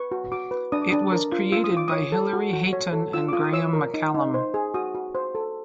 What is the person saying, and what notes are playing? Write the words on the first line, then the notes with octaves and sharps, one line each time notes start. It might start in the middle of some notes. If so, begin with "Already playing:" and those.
It was created by Hilary Hayton and Graham McCallum.
Already playing: B4 C#6
F#4
F#4 D6
B4
D4 D#6
D6
D4 D#6
A#4
F4
F4 E6
D#6
F4 D6
C#5 D#6
A4
F#4
F#4
C#5
A4
F4 E6
D6
F4 D#6
D#6
C#5 E6
A#4
D#4
D#4
C5
G#4
F#4 D#6
F#4
C5
A4